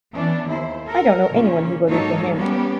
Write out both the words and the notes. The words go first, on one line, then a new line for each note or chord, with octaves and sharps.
I don't know anyone who voted for him.
E3 B3 C#4 D4
D#2 E4 C5
A4 A#4
A#2 C#3 C#4
G#2 F#3 A#3 D#4 A4 C#5
G3 A#3 B3 C#4 G4